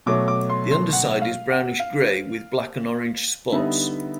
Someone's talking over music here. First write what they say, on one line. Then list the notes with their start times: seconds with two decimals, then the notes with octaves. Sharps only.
The underside is brownish grey with black and orange spots.
0.06 B2 F#3 A3 D6
0.28 D6
0.50 C6
0.71 C6
0.93 F#5
1.22 F5
1.51 F#5
1.80 F5
3.52 D3 G3 B3 D#4 E5